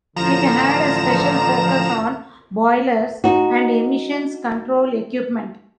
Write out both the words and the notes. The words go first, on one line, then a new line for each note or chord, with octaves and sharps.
It had a special focus on boilers and emissions control equipment.
A1 D3 F3 A#5 E7
D#4 F#4